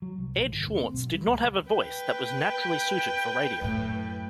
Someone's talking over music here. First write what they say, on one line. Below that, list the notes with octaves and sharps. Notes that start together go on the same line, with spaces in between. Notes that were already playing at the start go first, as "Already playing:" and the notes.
Ed Schwartz did not have a voice that was naturally suited for radio.
F#3
C2
A#1
G1
D2
C4
B1
G3
C#2
B4 G5
F#2 A2